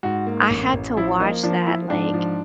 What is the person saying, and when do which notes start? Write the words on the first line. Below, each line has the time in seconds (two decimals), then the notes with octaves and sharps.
I had to watch that, like,
0.03 G#2 F#4
0.27 A#3
0.50 A1
0.73 A1
0.97 F3 E4
1.20 A#3 D#4
1.43 F3 D4
1.67 F3 E4
1.90 G#2 D4
2.14 F3